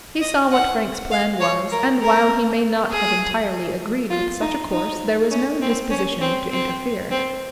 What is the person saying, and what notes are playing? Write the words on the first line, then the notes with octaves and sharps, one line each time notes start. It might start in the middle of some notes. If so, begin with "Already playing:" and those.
He saw what Frank's plan was, and while he may not have entirely agreed with such a course, there was no disposition to interfere.
D#5
F#5
F5
C#5
A#4
A#4
G#4
F4
D#4
D#4
C#4
C4
C#4
C4
C4
C4